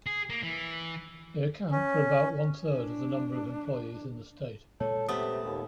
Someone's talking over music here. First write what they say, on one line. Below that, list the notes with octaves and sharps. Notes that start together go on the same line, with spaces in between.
They account for about one-third of the number of employees in the state.
G#4
A#3
E3
C#4
D4
A#2 G#3 A4 C#5
C3 A3 B3 D#6
D#2